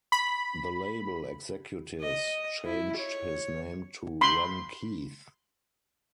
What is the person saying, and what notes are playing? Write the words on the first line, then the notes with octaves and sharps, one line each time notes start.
The label executives changed his name to Ron Keith.
B5
D#5
E4
C#5
B5 C6